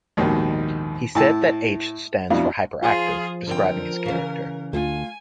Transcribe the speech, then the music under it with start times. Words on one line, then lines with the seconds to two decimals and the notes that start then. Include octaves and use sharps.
He has said that "H" stands for "hyperactive", describing his character.
0.17 A#1 D#2 G#2 B2 D#3
1.15 A2 E4 A5 E6
2.30 F2 B2 D4 E4 F5
2.82 F3 F4 G#4
3.47 D3 C4 A#4 G5
4.06 C#3 E3
4.73 D2 A3 F4 G#5